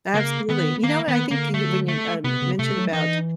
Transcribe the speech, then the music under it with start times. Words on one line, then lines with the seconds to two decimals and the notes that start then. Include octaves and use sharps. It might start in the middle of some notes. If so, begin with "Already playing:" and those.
Absolutely, you know what, I think you when you, um, mentioned about,
0.14 C#3 A#3
0.49 D#3 B3
0.84 D#3 A#3
1.08 D#3 B3
1.31 D3 A#3
1.54 A3
1.88 A3
2.24 C3 B3
2.42 C#3
2.59 C3 A3
2.76 F#3
2.93 E3 D#4